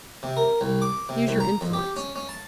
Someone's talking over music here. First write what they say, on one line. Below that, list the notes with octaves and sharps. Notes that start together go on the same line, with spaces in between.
Use your influence.
C3
A#4
C2
D6
C3
C2
A#5
F2
G4
C#4
C#4
A5